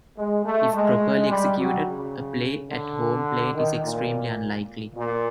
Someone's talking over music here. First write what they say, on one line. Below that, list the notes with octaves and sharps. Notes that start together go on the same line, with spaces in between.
If properly executed, a play at home plate is extremely unlikely.
G#3
A3
G#3
G3
F#3
C#3
D3
D#3
A#2
A#2